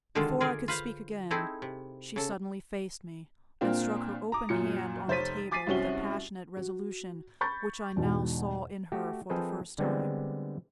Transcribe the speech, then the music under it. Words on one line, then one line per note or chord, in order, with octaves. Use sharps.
Before I could speak again, she suddenly faced me, and struck her open hand on the table with a passionate resolution which I now saw in her for the first time.
B2 D3 D#3 G#3 F4 A4
F4 G#4 A#4 D5
F4 B4 C5 F5
C4 D#4 E4 G#4 A4
C3
C#3 A4
A#2 A#3 C4 D4
A#5 D6 D#6
F#2 A#2 C#7
F1 C5 C#5 A6 B6 D#7
G#5 D6 A6 B6 C7 D#7
C2 C4 C#4 F#4 G7
F#4
B5 C#6 G6 A6
E2 G#2 B2
A3 F#4 G4
F3 C4 G#4 A4 B4 D#5
D3 G3 G#3 B3 C4